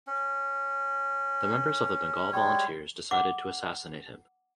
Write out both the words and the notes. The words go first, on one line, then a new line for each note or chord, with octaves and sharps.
The members of the Bengal volunteers decided to assassinate him.
C#4
G3 G#3 C#5
F#5 D6